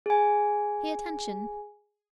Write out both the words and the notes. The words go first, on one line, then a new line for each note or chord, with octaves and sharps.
Pay attention!
G#4 G#5